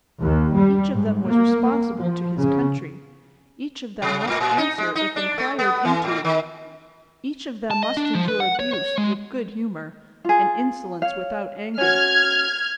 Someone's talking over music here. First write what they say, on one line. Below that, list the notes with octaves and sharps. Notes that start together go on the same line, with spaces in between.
Each of them was responsible to his country, each of them must answer if inquired into, each of them must endure abuse with good humour, and insolence without anger.
D#2
G3
G#2
A#3
A#3
F3
C#3
C3
A2
A#2
D#4
G#3
D#4
D4
A3
B3
E3
A2
D#3
A5
D#5
D4
F3
B4
F#5
C#5
C#5
G#3
F4 G#4
C#5 F5
C#4 F#4 F6 G#6